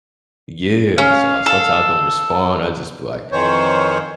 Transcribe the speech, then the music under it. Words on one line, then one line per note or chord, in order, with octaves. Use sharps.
Yeah, so I sometimes don't respond, I just be, like,
C#4 F5
A4
F2 D#3 E3 C5 C#5